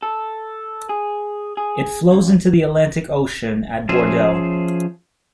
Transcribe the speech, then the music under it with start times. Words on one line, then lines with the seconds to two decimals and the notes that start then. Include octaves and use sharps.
It flows into the Atlantic Ocean at Bordeaux.
0.03 A4
0.89 G#4
1.57 G#4
2.11 C#2
3.89 F3 C#4 G#4 C5 E5